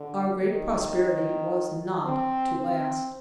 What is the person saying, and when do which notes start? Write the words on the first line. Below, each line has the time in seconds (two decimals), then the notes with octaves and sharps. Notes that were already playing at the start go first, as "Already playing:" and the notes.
Our great prosperity was not to last.
Already playing: D3
0.43 D#3
2.05 C4
2.58 C4